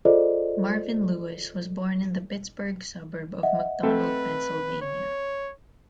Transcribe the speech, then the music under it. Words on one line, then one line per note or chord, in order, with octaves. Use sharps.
Marvin Lewis was born in the Pittsburgh suburb of McDonald, Pennsylvania.
F4 G#4 A4 C5 D5 D#5
D#5 E5 F#5
A3 C4 A4 B4
C#5